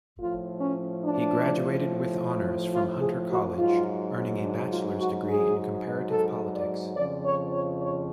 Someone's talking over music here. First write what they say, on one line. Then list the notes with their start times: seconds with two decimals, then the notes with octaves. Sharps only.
He graduated with honors from Hunter College, earning a bachelor's degree in comparative politics.
0.19 A2 F3 F4
0.61 C#4
1.03 D4
2.73 F4
3.01 G#4
3.29 F#4
3.57 G#2 F#3 F4
4.42 D4
4.70 F4
4.99 F#4
5.27 G#4
6.11 A4
6.54 D5
6.96 F2 C#3 F3 D5
7.24 C#5
7.52 C#5
7.80 C#5